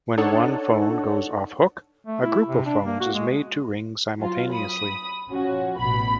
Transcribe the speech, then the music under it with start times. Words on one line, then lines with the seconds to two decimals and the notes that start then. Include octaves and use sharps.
When one phone goes off-hook, a group of phones is made to ring simultaneously.
0.18 D4 D#4 A4 C#5 F#5
2.07 A3
2.22 E4
2.47 C3
2.66 D4
2.86 A#3
3.00 F#4
3.14 G#3
4.18 F#3 F4
4.51 B5 D#6
5.30 F3 C#4 F#4
5.79 A1 B2 B5